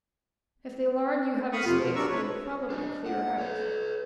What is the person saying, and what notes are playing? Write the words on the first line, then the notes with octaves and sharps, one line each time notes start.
"If they learn you have escaped, they will probably clear out."
F5 B5 C#6 D#6
F2 C3 F4
B2
F#2 C3 D4 A#4 C#6 E6
B4 C#5
D4 D#5
F#5
B4 C#5